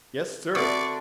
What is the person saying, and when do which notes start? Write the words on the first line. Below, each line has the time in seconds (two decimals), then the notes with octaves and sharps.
"Yes, sir!"
0.55 D3 C4 F#4 D5 E5 C#6